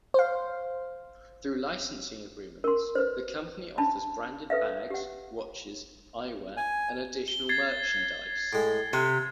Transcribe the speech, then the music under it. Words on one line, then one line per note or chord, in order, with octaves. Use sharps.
Through licensing agreements, the company offers branded bags, watches, eyewear and additional merchandise.
C5 F5
A#4 C6
B4 C5
D4 A5 B5
A4 B4 E5 F5
G4 F#5
G#5
G7
G#6 A6 C7
A2 G#3
C3 B4